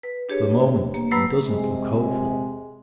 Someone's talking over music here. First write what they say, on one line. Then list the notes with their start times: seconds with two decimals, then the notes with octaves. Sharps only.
For the moment it doesn't look hopeful.
0.03 B4
0.29 D4 G4 G#4 C#5
0.94 A#3
1.11 G2 F#3 A3 B4 A#5 E6
1.44 C3 G#3